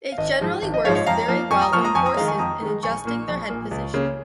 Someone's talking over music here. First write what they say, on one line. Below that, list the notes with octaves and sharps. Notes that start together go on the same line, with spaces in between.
It generally works very well on horses in adjusting their head position.
F5
G#1 D#5
G#2 F3 G#3
G#1
D#5
G#2 F3 G#3 C#5 F5
C#5 F5
F2 F5 A#5
F3 A#3
F2 G#5 C#6
A#5 D#6
F3 A#3 C#6 F6
A#5 D#6
F2 G#5 C#6
A#5 D#6
D#3 G#3 F5 A#5
G#5 C#6
F2 A#5 D#6
D#3 G#3
A#1 G#5 C#6
A#2 A#3
A#1
A#2 A#3
C#2
C#3 A#3